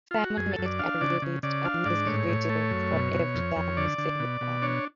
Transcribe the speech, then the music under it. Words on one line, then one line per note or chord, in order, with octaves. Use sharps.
Simon made and released a music video for Ev'ry Time We Say Goodbye.
F4
F#4
F#2 G#4
A4
F#2
D5
D4 F5
C#3 D5
C#3
C#3 D5
D4 F5
G#2 D5
A2 C#5
A2
A3
F#2
B2
B2
F2
F2
D3 D5
D3
B2
B2
D4 C#5